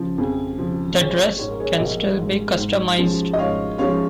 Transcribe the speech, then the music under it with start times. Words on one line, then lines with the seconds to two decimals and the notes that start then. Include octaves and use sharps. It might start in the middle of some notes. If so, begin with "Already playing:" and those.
The dress can still be customised.
Already playing: C#3 F3
0.18 F2 G#4
0.58 C#3 F3
0.98 A#1 G#4 C#5
1.38 G#2 G#3 C#5
1.49 A#4
1.60 G#4 C#5
1.78 A#1 A#4 D#5
2.18 G#2 G#3
2.58 G#2
2.99 F3 G#3 C#4
3.33 D#5
3.38 G#2 C#5 F5
3.78 F3 G#3 C#4 C#5 F5